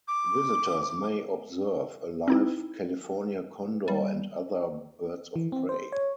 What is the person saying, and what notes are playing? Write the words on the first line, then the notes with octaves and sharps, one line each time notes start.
Visitors may observe a live California condor and other birds of prey.
D6
C4 D#4 E4
G3
E3
C4
C5
C#5